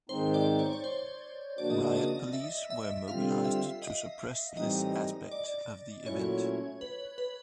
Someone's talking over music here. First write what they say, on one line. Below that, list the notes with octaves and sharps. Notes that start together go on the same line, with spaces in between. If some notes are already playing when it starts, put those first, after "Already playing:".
Riot police were mobilised to suppress this aspect of the event.
G#2 D#3 G#3 C4 D#4 C5
D5
C#5
C#5
C5
C#3 F3 A#3 D4 F#4 D5
D#5
D5
D#5
E5
E5
D3 G3 C4 F4 F5
E5
D#5
A2 E3 G3 C4 D#4 D#5
D5
A#2 F#3 A3 C#4 E4 C#5
B4
B4